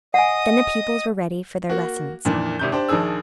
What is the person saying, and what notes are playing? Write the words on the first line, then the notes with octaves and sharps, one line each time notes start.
Then the pupils were ready for their lessons.
D#5 F#5 G#5 D#6
A#3 F#4
F2 A#2 D#3 E3 D4
G#1 C3 G6
D4 G4 C5
A#1 D#3 F3 D4 G#4 E6